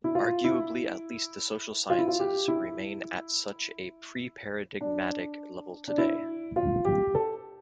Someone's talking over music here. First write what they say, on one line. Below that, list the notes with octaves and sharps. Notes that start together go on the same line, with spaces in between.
Arguably at least the social sciences remain at such a pre-paradigmatic level today.
E4
F4
E4
F4
E4
F4
G4
E4
D4
D4
E4
F4
G4
A4